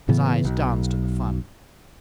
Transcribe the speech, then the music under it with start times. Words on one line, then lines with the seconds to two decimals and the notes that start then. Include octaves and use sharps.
His eyes danced at the fun.
0.09 A2 C#3 E3 B3
0.45 B1